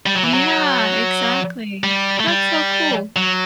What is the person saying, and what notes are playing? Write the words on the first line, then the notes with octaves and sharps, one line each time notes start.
Yeah, exactly. That's so cool.
G3
F#3
E3
F#3
G3
A3
G3
F#3